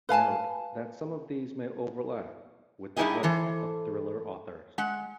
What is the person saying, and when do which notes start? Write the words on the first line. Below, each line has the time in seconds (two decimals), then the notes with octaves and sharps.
Note that some of these may overlap with the List of thriller authors.
0.09 B4 F5 G#5 A5
2.96 G2 D#4 E4 G4 G#4 D#5
3.23 E3 A4 C5
4.78 G#3 F#5